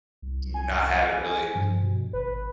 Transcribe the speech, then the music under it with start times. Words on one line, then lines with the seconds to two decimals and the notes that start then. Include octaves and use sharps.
not have it really
0.22 C2
0.54 G#5
1.55 G2 F3
1.81 B2
2.13 G#1 B4